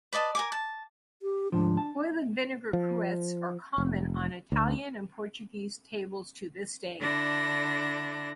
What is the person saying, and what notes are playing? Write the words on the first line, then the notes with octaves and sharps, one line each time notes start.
Oil and vinegar cruets are common on Italian and Portuguese tables to this day.
B4 D5 D#5 A5
A#4 G#5 D6
A5
G4
D2 G#2 F3 D4
A5
F3
F1
D2
D3 D4 E4 A#6